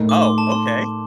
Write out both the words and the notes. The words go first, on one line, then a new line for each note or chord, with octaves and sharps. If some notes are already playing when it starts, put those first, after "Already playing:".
Oh, okay.
Already playing: A2 A3 D#4 A#4
D6
C6
A5
C6